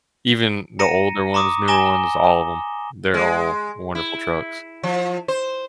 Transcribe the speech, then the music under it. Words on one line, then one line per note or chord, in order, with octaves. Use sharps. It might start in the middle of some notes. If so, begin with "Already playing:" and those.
Even the older ones, newer ones, all of 'em, they're all wonderful trucks.
A#5 A#6 C#7 D#7
A#5 C6 D6 D#6
G#5 A#5 D6 A#6 E7 G7
G#3
E4
F3
C5